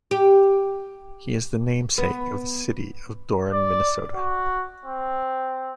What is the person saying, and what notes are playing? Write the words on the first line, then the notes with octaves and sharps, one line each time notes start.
He is the namesake of the city of Doran, Minnesota.
G4
B3
D5
F#4
C4